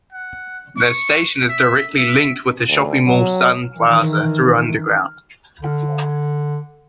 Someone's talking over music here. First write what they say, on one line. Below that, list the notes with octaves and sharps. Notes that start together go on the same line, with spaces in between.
The station is directly linked with the Shopping Mall Sun Plaza through underground.
F#5
C#6
E5
E5
D2
F#3
D#3 E3
D3